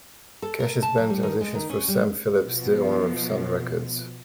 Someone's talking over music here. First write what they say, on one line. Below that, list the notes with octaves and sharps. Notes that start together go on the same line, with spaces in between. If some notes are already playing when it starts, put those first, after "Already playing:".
Cash's band auditions for Sam Phillips, the owner of Sun Records.
A4
A#4
A5
F#3
G3
D#3
G#3
D#3
C#4
G3
B2 F3